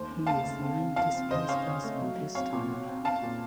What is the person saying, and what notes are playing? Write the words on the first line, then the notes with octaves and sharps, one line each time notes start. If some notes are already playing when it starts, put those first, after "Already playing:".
He is the only displaced person this time around.
Already playing: D#2 A3 C5
C#4
A3 F5 A5
C#3
C4
C4
F3 F5 A5
C4
C#3 C5 D#5
C#4 C#5 F5
C#4
A3
F#3
F#3
C4 C#5 F5
A#2
F#4
C4
C4 F5 A5
A#2